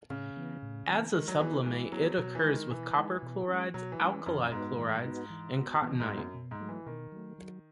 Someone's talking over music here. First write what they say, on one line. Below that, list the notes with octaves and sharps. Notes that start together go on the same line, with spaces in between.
As a sublimate it occurs with copper chlorides, alkali chlorides and cotunnite.
A2 C#3
E3 B3
A2
E3 B3
D#3 G#3
F#3
E3 B3 E4 G#4 B4
D#3
E3 G#3
F#3 B3 E4 G#4 B4
B2 F#3
E3
G#3 D#4
D#3
B2 E3
G#3 D#4
B2
G#3 C#4
B2 F#3
E3
G#3 C#4
E3
F#2 E3
G#2 B3 D#4 F#4 B4
E3
B3 D#4 F#4 B4
E3
B3 F#4
B2 E3
G#2
B3 F#4
F#2
B2
G#2
F#3 A3
E3
B2 D#3
F#3 A3
F#3